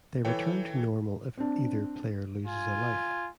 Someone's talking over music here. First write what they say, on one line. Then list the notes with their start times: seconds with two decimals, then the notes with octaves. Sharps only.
They return to normal if either player loses a life.
0.25 E3 A4 C#5 G5
1.38 C4 D4
2.47 F4 G#5